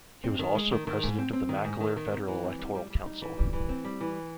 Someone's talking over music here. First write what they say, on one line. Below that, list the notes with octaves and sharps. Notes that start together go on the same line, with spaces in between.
He was also President of the Mackellar Federal Electoral Council.
C4
D#3
G#3
D#3
D#3
G#2
C4
C4
D#3
G#2
D#3
D#3
C4
E3
C4
G3
G3
G3
D#4
E3
G3
E3
C4
G3
E3